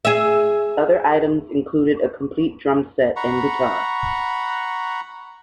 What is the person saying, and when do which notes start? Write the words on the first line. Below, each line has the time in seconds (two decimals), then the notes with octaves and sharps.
Other items included a complete drumset and guitar.
0.05 G#4 E5
3.16 F#5 A#5 B5 C#6